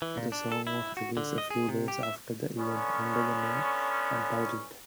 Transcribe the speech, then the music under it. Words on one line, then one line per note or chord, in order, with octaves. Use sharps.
The song was released a few days after the event, under the name "Untitled".
E3
A#2
D4
A4
E4
F#4
D3
D#5
G#4
C3
G4
E5
D3 B3 C#4